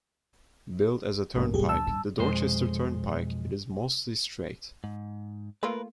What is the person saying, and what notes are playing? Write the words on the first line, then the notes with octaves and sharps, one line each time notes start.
Built as a turnpike, the Dorchester Turnpike, it is mostly straight.
A1 G2 A#2
B2 G3 G4 G#4
D2 A5 E6
G2
B1 F2 G#3 C5
G#2
A3 A#3 F4 A#4 B4